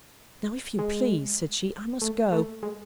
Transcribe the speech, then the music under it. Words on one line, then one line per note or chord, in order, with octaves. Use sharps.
'Now, if you please,' said she, 'I must go.
G#3
A3
A3
G#3